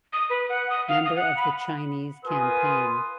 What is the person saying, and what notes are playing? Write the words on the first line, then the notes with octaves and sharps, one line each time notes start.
Member of the Chinese campaign.
D#6
B4
F#5
D#6
F5
D#6
F#5
B5
F4 A#4 B4 G#5 C6 D#6